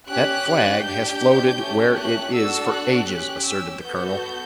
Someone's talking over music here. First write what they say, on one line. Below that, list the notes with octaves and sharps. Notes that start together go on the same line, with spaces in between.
"That flag has floated where it is for ages," asserted the colonel.
C#4 G4 F#6
D4 G4 G6
A3 C#4 G4
F#6
D4 F#4 A4 E6
F#6
C#4 G4
E6
B3 F#4 A4 G6